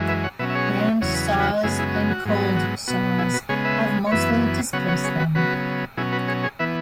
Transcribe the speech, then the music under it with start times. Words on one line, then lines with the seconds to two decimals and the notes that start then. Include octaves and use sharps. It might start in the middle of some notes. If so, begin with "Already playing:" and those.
Bandsaws and cold saws have mostly displaced them.
Already playing: F#2 E3 G#3
0.08 B4 E5
0.24 C#5 F#5
0.39 B2 F#3 C#4 B4 E5
0.50 E5
0.55 G#4 C#5
1.01 E2 C#3 F#3 C#5
1.14 B4
1.27 G#4
1.40 F#4 B4
1.63 F#2 C#3 G#3 B3 E4 G#4
1.79 E4 G#4
1.94 F#4
2.10 F#4
2.25 G#2 F#3 B3
2.56 F#4
2.88 B2 B3 F#4
3.18 E4 G#4
3.34 F#4 B4
3.49 C#3 G#3 B3 G#4 C#5
3.65 B4 E5
4.06 C#5
4.11 F#2 E3 B3 B4 E5
4.73 C#3 F#3 B3 C#5 F#5
4.88 C#5 F#5
5.04 G#4 C#5
5.19 F#4 B4
5.35 C#3 F#3 B3 F#4 B4
5.97 B2 F#3 C#4 E4 G#4
6.13 F#4 B4
6.28 G#4 C#5
6.43 G#4 C#5
6.59 E3 B3 B4 E5